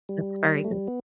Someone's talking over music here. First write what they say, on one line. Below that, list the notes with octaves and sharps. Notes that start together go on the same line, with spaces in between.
That's very good.
G3
A3
G3
B3